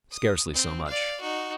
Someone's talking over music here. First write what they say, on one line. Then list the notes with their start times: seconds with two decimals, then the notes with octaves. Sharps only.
"Scarcely so much."
0.11 D#6
0.54 C4
0.87 D5 F5
1.21 D#4 F#4